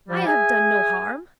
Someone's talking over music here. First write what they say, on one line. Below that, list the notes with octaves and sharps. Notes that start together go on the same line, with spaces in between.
"I have done no harm."
F3 G3
G#4 E5 G#5